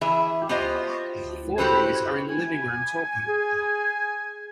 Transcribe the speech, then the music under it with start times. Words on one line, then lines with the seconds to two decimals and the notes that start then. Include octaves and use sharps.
Four boys are in the living room talking.
0.01 E3 E4 G#4 E5
0.49 B3 F4 G4 C5 D#5
1.58 E4 F#4 G4 A4 B4 C5
2.30 G#5
3.28 G#4